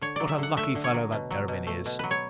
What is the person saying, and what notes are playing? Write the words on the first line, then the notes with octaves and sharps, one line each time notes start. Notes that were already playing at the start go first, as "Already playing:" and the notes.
What a lucky fellow that Derebin is!
D3 C#5
F#3 D5
E5
D3 F#5
A3 E5
D3
C#5
F#3
B2
F#3
B2
A3
B2
F#3 B4
C#5